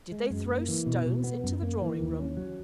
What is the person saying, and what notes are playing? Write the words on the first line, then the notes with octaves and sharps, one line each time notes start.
Did they throw stones into the drawing-room?'
G#3
F#2
A#3
E3
B2
B2
B3
F#2
A#3
E3
D#2
C#4
F#3